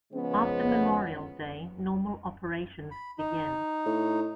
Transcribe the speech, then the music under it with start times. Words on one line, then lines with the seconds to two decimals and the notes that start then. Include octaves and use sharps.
After Memorial Day, normal operations begin.
0.13 C#3 F3 G#3 B3 C#4
2.91 B5
3.18 D#4
3.86 A2